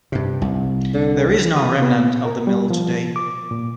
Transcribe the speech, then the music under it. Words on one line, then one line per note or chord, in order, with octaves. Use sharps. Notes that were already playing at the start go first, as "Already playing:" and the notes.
There is no remnant of the mill today.
G2 C3
C2
D3
D#6
B3
A#4
G3
F3
D6
A#2